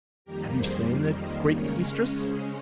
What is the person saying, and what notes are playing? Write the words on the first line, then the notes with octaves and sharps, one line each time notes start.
"Have you seen the Greek mistress?"
F2 D#3 G3 A#3 G4 A#4
G#4 C5
C5 D#5
C#3 G#3 C#4 A#4 C#5
G#4 C5